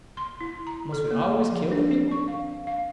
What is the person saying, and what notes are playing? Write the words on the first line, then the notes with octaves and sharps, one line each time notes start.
"Must we always kill the people?"
C6
E4
A#5
A4
A#3
F3
D4
C#6
F5
F5